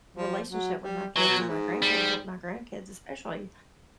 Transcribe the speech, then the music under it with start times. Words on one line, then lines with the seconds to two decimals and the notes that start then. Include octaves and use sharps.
relationship with my kids and my grandkids my grandkids especially,
0.17 F3
0.50 F#3
0.83 G3
1.16 E3 F#3
1.27 B2
1.38 A#2
1.49 G#2
1.82 G3